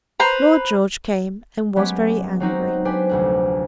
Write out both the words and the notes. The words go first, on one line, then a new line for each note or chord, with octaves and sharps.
Lord George came and was very angry.
B4 C5 A#5 B5
F#3 G#3 B3 C#4 G4
F#3 C4 D#4 F#4
D4 G4 B4 C5 G5 G#5
F1 D2 D4